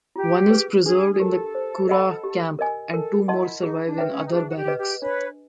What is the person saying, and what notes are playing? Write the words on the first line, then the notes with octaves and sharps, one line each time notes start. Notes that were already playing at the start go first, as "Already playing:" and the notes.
One is preserved in the Curragh Camp and two more survive in other barracks.
F4 G4
G#4 B4
D4 G#4
G#4
G4 A4 A#4
C5
D#5 F#5 B5
G4
A#4 D#5 G#5
A4 A#4
E4 D#5 F#5 A5 C6
D#4 G#4
D4
B4 E5 G5
C#4
D#4
D4 G#4
F#4
G4
B4 D#5
G4
D4 B4 C#5